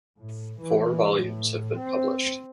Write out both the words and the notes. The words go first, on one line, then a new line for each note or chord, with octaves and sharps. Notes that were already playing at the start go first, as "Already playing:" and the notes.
Four volumes have been published.
A2
E3
A2
C4